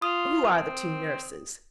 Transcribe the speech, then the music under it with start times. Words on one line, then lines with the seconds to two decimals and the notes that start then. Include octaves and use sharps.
'Who are the two nurses?'
0.02 F4 D#6
0.52 C4